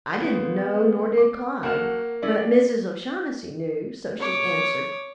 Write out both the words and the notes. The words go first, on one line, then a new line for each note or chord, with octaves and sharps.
I didn't know nor did Clyde, but Mrs. O'Shaughnessy knew, so she answered.
F2 B3 C4
D6
F#2 A#3 F#4 F#5 A5 F6
C#4 E4 G#4 D5
C#5 D6